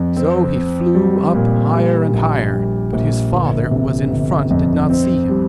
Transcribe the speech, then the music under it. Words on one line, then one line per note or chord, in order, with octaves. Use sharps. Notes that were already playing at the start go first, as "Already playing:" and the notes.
So he flew up higher and higher, but his father who was in front did not see him.
Already playing: F2
C4
C4
G3
A#2
G3
A#1
G3
A#1
G1
C3
G1
F2
C4
G3